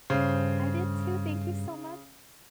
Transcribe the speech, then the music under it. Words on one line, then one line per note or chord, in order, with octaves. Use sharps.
I did too. Thank you so mu
G2 C#3 C5